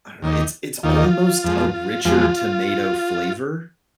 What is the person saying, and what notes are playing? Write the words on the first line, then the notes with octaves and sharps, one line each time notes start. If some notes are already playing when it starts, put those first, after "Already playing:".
I don't know, it's it's almost a richer tomato flavor.
D#2 D#3 A#3 D#4
D#2 D#3 A#3 D#4 F4
F2 F3 G#3
F2 F3 G#3 F4